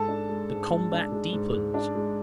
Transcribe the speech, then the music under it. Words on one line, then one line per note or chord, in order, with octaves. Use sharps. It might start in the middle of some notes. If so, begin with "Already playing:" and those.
The combat deepens.
Already playing: G#2 A4 A5
D4
G#3
G#2
G#2
D4
G#3
G#2
G#2
D4
G#3